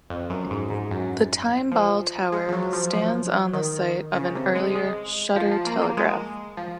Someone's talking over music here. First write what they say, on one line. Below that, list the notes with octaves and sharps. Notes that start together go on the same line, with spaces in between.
The Timeball Tower stands on the site of an earlier "Shutter Telegraph".
F2
F#2
G#2
G#2
F#2
F3
G#3
F3
F#3
F3
F3
D#3
C#3
C3
G#3
G#3
F3
F3
A#3
A#3
G#3
F3